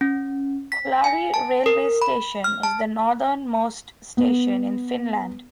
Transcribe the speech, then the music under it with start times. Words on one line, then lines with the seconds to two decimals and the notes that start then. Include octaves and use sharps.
Kolari railway station is the northernmost station in Finland.
0.01 C#4
0.72 B6
1.04 G#5
1.34 A5
1.66 A#4
2.02 B5
2.44 F6
2.63 A5
4.17 B3